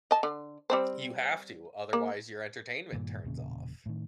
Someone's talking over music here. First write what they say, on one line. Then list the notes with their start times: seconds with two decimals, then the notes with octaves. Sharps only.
You have to, otherwise your entertainment turns off.
0.11 D#5 A5
0.23 D3
0.70 G3 C4 C5
1.93 A#3
2.92 G2 A#2 D#3
3.24 E1 A#2 C#3
3.86 A2 D#3